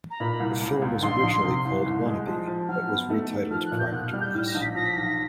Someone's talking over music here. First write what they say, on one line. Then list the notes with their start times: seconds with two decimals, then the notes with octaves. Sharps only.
The film was originally called "Wannabe", but was retitled prior to release.
0.10 A#5
0.20 A#2 B5
0.40 C2
0.61 C#2
0.82 C#2
1.02 A#1 C6
1.23 A#1
1.44 C3
1.65 F#1
1.86 C2
2.06 G#3
2.26 F3
2.47 F3
2.69 F#3 F6
2.89 B3
3.10 A3
3.30 D#3
3.50 F3 F6
3.65 F#6
3.72 A#2
3.78 G6
3.92 B2 F#6
4.06 F6
4.13 G3
4.20 G6
4.33 A2 F6
4.47 A#6
4.55 A#1
4.61 B6
4.75 F3 A#6
4.84 B6
4.95 B1 A#6